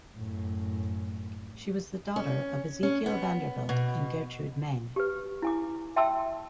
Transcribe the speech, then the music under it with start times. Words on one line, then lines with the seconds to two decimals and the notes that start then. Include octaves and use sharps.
She was the daughter of Ezekiel Vanderbilt and Gertrude Meng.
0.14 F#2 A2
2.16 C#4
2.83 C#4
3.06 B3
3.69 B2
4.96 G4 B4
5.42 E4 G#5 D6
5.96 E5 G5 A5 C6 E6